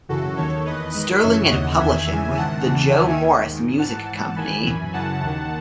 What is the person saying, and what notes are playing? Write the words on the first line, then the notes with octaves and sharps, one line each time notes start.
Sterling and publishing with the Joe Morris Music Company.
F#2 C#3 E3 F#4 A4
D#2 D#3 A4 C#5
E2 D#3 B4 D#5
G#2 D#3 B4 D#5
F#2 C#3 E3 C#5 E5
D#2 C#3 E3 D#5 F#5
E2 D#3 E5 G#5
E2 C#3 E3
G#2 D#3 F#5 A5
E2 C#3 E3
D#2 D#3 E5 G#5
D#2 D#3
G#2 D#3
G#2 E3 F#5 A5
G#2 E3
D#2 D#3 G#5 B5
F#2 E3
F#2 C#3 E3 F#5 A5
D#2 D#3